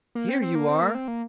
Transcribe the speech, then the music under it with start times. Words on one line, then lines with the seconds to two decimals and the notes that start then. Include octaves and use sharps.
"Here you are!"
0.15 A#3
0.29 C4
0.42 C4
0.55 A#3
0.69 C4
0.82 A#3
0.95 C4
1.08 A#3